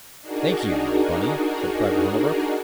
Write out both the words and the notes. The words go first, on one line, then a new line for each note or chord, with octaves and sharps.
"Thank you, my bunny," said Private Hornabrook.
D4 D#4 F#4 G#4 A#4